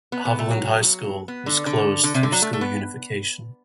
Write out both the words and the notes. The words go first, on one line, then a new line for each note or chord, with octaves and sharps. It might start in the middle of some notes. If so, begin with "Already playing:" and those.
Haviland High School was closed through school unification.
B3
B3
A3
F#3
B3
D3
D3
D3
C3
D3
F#3
A3
A3
B3